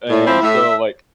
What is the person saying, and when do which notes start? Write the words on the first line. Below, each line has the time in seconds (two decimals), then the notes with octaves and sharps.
And so, like,
0.10 A2
0.26 F3 C4 E4
0.42 A2 E5